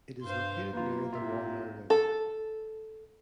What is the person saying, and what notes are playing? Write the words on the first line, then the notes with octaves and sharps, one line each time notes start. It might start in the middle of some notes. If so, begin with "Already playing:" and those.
It is located near the Warnow River.
G2 C5 F5 C6
F#2 A#3 F4 B4
G#2 C3 F4 E5
A4